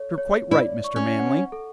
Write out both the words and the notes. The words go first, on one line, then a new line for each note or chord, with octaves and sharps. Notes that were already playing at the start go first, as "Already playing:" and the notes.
You're quite right, Mr. Manley.
Already playing: A4 C#5
C#5
E4 D5
C#6
C#4
F#5
A4